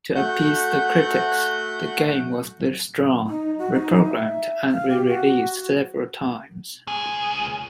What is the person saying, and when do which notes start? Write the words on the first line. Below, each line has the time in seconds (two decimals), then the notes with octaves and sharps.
To appease the critics, the game was withdrawn, re-programmed, and re-released several times.
0.15 A3 F#4 F#5 G6
3.27 D#4
3.58 F#4
3.73 D#4
4.05 E5
4.71 F5
4.89 G4
5.07 F#4
6.87 C#2 G#4